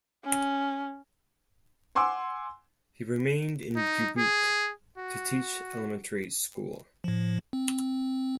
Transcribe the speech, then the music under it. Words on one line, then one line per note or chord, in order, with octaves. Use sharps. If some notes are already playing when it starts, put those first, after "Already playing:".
He remained in Dubuque to teach elementary school.
C#4
F#5 G#5 C6 D6 E6
D#4
G#4
F#4
A2 F3
C4